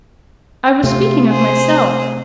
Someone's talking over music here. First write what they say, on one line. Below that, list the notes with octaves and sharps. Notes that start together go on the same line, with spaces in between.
"I was speaking of myself."
C3 A3 F4
G#4 C5